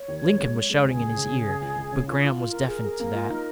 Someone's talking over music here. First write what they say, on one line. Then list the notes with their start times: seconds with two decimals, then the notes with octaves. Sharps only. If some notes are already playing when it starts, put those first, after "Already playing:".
Lincoln was shouting in his ear, but Graham was deafened to that.
Already playing: C#5
0.08 D#2
0.23 D#2
0.39 G#3
0.54 G#3
0.70 G#3
0.85 C#2 G#4
1.00 C#2
1.16 C#3
1.32 C#3
1.47 C#3
1.61 C#2
1.76 C#2
1.92 C#3
2.08 F4 G#4
2.23 F4
2.38 F4
2.48 A#4
2.53 F4
2.68 G#4 A#4
2.85 G#4
3.00 A#3
3.15 F4
3.30 D#4